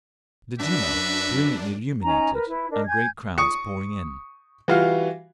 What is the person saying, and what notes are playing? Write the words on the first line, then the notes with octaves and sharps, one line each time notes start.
The Duma brilliantly illuminated and great crowds pouring in.
F#2 D4 F#4 B4 E5
C#4 D#4 G#5 A#5
A#4 B4
E4 B4
D4 A#4 D#5
G#5 G6 G#6
C#6 D#6 C#7
E3 G3 F4 F#4 F5